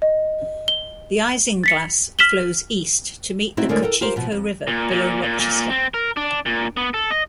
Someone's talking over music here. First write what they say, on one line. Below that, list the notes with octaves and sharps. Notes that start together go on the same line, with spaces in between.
The Isinglass flows east to meet the Cochecho River below Rochester.
D#5
G7
A6 B6 C#7
F6 B6 E7 F#7 G7
A3 C4 D#4 E4 F#4
D3 G#3 A3 C#4 A#4 D5
A4 A#4 G5
F4 G4 A#4 C5
B2 F3
F2
A#2
A#2
A#2
A#2
C4
A#4
D4
A#2
B3
A4
D#5